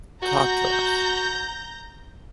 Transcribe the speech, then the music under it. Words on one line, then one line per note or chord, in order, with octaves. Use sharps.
Talk to us.
F#4 A#5 G6 A#6